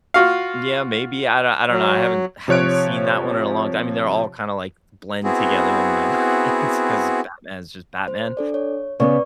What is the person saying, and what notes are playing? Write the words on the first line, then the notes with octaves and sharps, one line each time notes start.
Yeah, maybe, I don't I don't know, I haven't haven't seen that one in a long time. I mean, they're all kinda, like, blend together in my mind 'cause Batman is just Batman.
F4 F#4 F5
F#3
C3 F3 C#5 F#6 D7
B3 C4 E4 F#4 G#4
C5
D4 A4 D5
C#5
C#3 B3 B4 D5 C#6